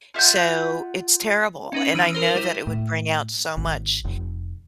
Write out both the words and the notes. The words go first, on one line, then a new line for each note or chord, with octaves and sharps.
So, it's terrible, and I know that it would bring out so much
F4 E5 F#5 G6
C#4 D#4 B4
E3 D#6 F6 D7 D#7
A#4 C5 A#6
G3 E4 D#7
A2
G#1
F1